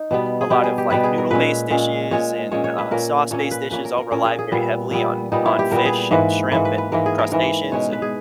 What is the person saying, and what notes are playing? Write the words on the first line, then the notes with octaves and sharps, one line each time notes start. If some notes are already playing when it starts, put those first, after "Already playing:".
a lot of, like, noodle-based dishes and, uh, sauce-based dishes all rely very heavily on on fish, and shrimp, and crustaceans, and,
Already playing: D#4
B2 G3 B3
G#4
B2 G3 B3 G4
G#4
G4
B2 G3 B3 B4
G#4
A#4
A#2 G#3 C#4 B4
A#2 G#3 C#4
A#2 G#3 C#4 C#5
A#2 G#3 C#4 C#5
C#5
B4
A#2 A#3 C#4 A#4
A#2 A#3 C#4 C#5
B4
A#2 A#3 C#4 B4
A#4
A#4
A#2 A#3 C#4 A#4
G#4
G#4
A#2 G3 B3
A#2 G3 B3
A#2 G3 B3 D#4
E4
G4
A#2 G3 B3 A#4
G#4
G#2 E3 A#3 B4
G#2 E3 A#3 B4
B4
B4
G#2 E3 A#3 A#4
G#4
A#4
G#2 E3 A#3 A#4
B2 G#3 C#4 C#5
B4
G#4